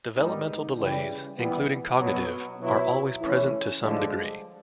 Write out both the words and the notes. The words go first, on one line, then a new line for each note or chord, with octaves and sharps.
Developmental delays, including cognitive, are always present to some degree.
G#2 D#3 G3 B3 D#4
C#3 E3 G3
E3 G3 B3
B2 F#3 B3
B2 F#3 B3 E4
E3 A3 C#4
G2 D3 F3 G#3